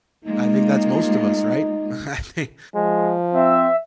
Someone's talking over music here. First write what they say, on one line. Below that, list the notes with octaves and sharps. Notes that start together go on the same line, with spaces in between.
I think that's most of us, right? I think
G#3 A#3 D#4 F4
F3 G#3
C4 E5